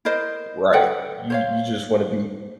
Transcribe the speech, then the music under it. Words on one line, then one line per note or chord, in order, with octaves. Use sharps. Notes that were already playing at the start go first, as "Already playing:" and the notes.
Right, you you just wanna be
E4 A#4 C5 D#5
A4 B4 F#5 G5
C5 C#5 F5